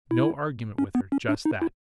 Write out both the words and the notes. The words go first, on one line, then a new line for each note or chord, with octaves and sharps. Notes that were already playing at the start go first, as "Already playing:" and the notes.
No argument with her--just that.
E4
C#4
B3
C#4
D4
D#4
E4